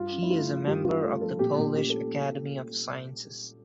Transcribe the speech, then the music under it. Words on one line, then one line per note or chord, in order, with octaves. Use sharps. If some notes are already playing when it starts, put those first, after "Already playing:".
He is a member of the Polish Academy of Sciences.
Already playing: G2 F4
C#4
E4
A3 F4
F3
G2 G4
C#4 F4
A3 A4
F3 A4
A#2 G4
A#2
C#4 G4
A4